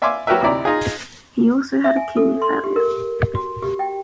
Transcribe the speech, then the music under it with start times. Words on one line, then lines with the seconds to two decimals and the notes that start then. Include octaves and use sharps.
He also had kidney failure.
0.02 D5 E5 F5 G#5 C6 D6
0.27 F#3 F#4 G4 A#4 B4 E5
0.41 D2 C3 D#4 E4 D5 A#5
0.65 D#4 F4 G#4
1.84 E5
1.96 G#5
2.17 A4
2.42 C6
2.64 G4
2.76 A#4
3.35 F#4
3.62 G4
3.79 G5